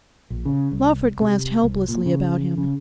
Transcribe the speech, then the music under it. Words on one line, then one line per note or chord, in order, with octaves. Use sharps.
Lawford glanced helplessly about him.
A#1
C#3
C2
C3
C2
A#2
C#3
C#3